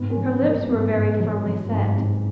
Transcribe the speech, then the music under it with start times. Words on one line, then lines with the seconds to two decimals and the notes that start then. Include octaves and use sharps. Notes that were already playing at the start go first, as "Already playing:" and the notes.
Her lips were very firmly set.
Already playing: G#2 B3
0.10 A#3 C#4
0.17 F#3
0.29 B3
0.41 F#3
0.49 A#3
0.68 G#2 B3
0.93 G#2
1.19 F#3
1.46 F#3
1.72 G#2
1.97 G#2